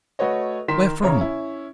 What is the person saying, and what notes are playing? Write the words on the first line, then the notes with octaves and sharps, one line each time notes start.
"Where from?"
A3 F#4 B4 C#5 D#5
D#3 A#4 C6 B6 E7
E2 C#3 E4 C#5 A#5
C#4 E4